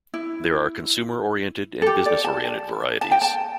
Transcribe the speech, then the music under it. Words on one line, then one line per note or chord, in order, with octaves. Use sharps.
There are consumer oriented and business oriented varieties.
E4
A4
G4
D5
A5
A5
G5
A5